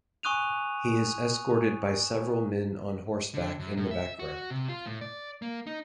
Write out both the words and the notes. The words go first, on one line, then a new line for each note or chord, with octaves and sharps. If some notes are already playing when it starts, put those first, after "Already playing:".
He is escorted by several men on horseback in the background.
G#5 C#6 D#6 F#6 D#7 F7
D3
F#2
A2
E5
F#4
C3
F4
A2
D5
A#3
D#4